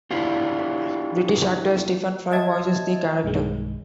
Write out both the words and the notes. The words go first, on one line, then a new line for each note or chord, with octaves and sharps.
British actor Stephen Fry voices the character.
D4 E4 F4 G4
C5 D#5 E5 A5 G#6
B1 G2 D#3 G#3